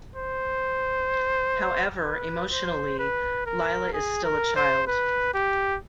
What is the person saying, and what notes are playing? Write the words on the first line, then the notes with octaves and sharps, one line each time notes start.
However, emotionally Leila is still a child.
C5
B4
C5
B4
A#4
G#4
A#4
C5
B4
G4